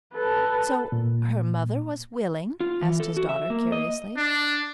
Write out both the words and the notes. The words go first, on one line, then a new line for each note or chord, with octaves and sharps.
"So her mother was willing?" asked his daughter, curiously.
A4 B4
A#2
F4
E3
A4
F#4
E5
A#3
D#5
D4